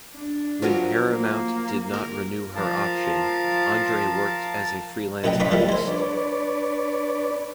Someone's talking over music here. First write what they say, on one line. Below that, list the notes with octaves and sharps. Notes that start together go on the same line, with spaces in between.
When Paramount did not renew her option, Andre worked as a freelance artist.
D4
F3 F#3 A#4
A#3
A#4
F3 A#4 F5 A5
F#2 A2 B4 D#5 G5 A#5
B4 D5 D#5 F5 B5 C#6
D#3 F3 G3 A3 E4
G#3 C5
D4 B4 C#5 D5